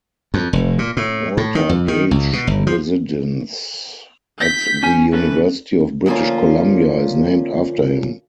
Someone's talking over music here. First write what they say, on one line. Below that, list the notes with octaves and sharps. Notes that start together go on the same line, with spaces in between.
Walter Gage Residence at the University of British Columbia is named after him.
F2
F1
A#2
A2
A2
D#3
F2
D#3
C#2
B2
G1
F3
G6 B6
C#4 G#5
E3 C#4 A4 B4
D2 F3 A#3 C#4 F4